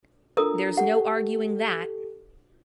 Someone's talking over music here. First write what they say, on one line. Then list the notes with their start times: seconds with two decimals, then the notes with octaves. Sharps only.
There's no arguing that.
0.37 D4 F4 A4 A#4 A#5 D#6
0.77 G4 A4 F#5